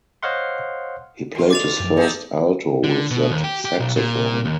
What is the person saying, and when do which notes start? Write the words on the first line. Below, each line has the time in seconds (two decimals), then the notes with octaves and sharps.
He played his first alto with that saxophone.
0.23 C5 C#5 D#5 F5 F#5 C6
1.35 E2 F4
1.51 A4 D#5 D6 A6 F7
1.80 F#2 F3
1.97 D#4 G#4 A4
2.84 D3
3.11 B2
3.31 D#2
3.44 G4
3.65 G4
3.80 B1
3.96 A#2
4.45 D#2